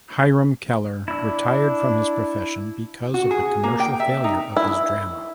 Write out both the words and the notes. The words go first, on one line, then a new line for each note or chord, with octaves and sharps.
Hiram Keller retired from his profession because of the commercial failure of this drama.
D4 E4 E6
F#4
G#4
A#3
G5
E5
D#4
E4